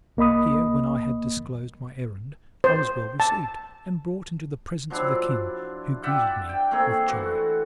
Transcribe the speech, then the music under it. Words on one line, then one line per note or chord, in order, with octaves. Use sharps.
Here, when I had disclosed my errand, I was well received, and brought into the presence of the king, who greeted me with joy.
C2 A#3 D#5 B5 D#6
C5
A5
F3 F#3 D4 E4
D5 E5 F#5 G5
G5
A3 A#3 C4 G#4
E3 A3 F#4